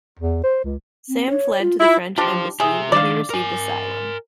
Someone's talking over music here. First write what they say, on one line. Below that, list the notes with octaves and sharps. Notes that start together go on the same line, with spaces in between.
Sam fled to the French embassy, where he received asylum.
E2
C5
C#2
C4
C#5
F4
E4 F4
D4 F4 G4 C5
G4 G#4 E5
D#3 D4 D5 F5
A#4 G#5